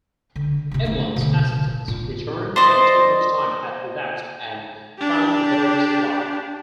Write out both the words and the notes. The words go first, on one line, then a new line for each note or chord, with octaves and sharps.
Eglon's assistants returned when too much time had elapsed and found the doors locked.
D3
C3 A3
A3 B3
B2 D3
A1
A#2
C5 D5 D#5
D4 G4